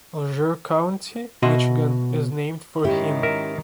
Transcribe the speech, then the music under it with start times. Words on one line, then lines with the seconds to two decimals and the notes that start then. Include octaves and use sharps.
Alger County, Michigan, is named for him.
1.42 B2 F#4 D#5 E5 C6
2.84 G#2 D#3 C#4 E4 G4
3.23 A#4 E5